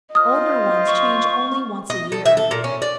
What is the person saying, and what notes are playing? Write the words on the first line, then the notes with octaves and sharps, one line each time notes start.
Older ones change only once a year.
F4 C5 D#5 D#6 F6
C#6
D#5
A4
E5
A4
A#2
C#4
D5